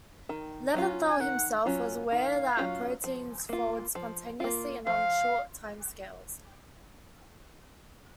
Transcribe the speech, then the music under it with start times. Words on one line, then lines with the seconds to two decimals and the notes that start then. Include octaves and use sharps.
Levinthal himself was aware that proteins fold spontaneously and on short timescales.
0.29 D#3
0.74 F#3 C#4 F4
1.09 G#5
1.20 D#3 F#5
1.65 F#3 C#4 F4
2.11 D#3 F5
2.57 F#3 C#4 F4
3.04 F3
3.49 A#3 F4
3.95 F3
4.40 A#3 F4
4.86 F3 F5